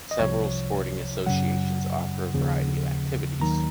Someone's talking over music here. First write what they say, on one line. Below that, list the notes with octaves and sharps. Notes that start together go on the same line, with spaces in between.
Several sporting associations offer a variety of activities.
D#5
C2 C3 F3 C#5
F#2 C#3 F#3 F#5
D#2 C#3 F3
D#2 D#3 F#3 A#5